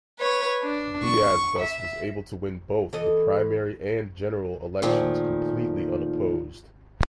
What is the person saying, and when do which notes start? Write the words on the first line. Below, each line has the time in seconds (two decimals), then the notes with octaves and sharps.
Diaz thus was able to win both the primary and general elections completely unopposed.
0.19 B4 C#5
0.64 D4
1.04 C#6
1.59 E5
2.93 E3 A4 D#5
4.82 A#2 D#3 F3 A3